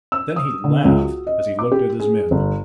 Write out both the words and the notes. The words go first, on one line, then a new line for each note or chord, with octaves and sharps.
Then he laughed as he looked at his men.
E6
D#6
D3
C#2
F#4
D#5
D6
G4
G#4
G1